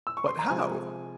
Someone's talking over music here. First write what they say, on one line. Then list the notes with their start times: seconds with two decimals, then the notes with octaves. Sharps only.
"But how?"
0.07 E6
0.17 C#6
0.28 C6
0.39 A#5
0.49 C3 F3 G#3 G#5